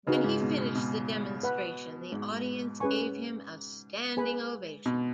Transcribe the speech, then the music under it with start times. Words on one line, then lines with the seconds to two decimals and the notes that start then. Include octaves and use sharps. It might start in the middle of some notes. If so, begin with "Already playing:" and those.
When he finished the demonstration, the audience gave him a standing ovation.
0.07 C#3 D#4 F#4 B4 D#5
0.24 G#2
0.41 B2
0.58 B2
0.75 B2
1.43 B4 F#5 B5
2.12 G#2
2.80 C#4 G#4 B4 G#5 C#6
4.17 G#4 B4 G#5 B5
4.86 B2